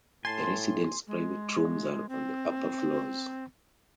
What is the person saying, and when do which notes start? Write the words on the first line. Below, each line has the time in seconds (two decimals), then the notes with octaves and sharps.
The residents' private rooms are on the upper floors.
0.25 A2 G#5 A5 C6
1.07 G#3
2.09 C4